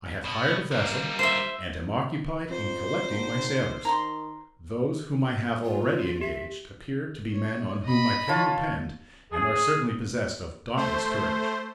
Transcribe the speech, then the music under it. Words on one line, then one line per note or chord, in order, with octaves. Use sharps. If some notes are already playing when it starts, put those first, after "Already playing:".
I have hired a vessel and am occupied in collecting my sailors; those whom I have already engaged appear to be men on whom I can depend and are certainly possessed of dauntless courage.
B2
G3 A#3
C5 E5
F2 C5
G#1
D#3 A#5 C6
F4
G4 E5
C#5
D#5 B5
F4 C#5 A5
G#4
A3 C5